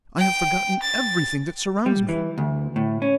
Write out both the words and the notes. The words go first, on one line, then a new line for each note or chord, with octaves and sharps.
I have forgotten everything that surrounds me.
G5
A6
G3
E3
D2
A2
C#4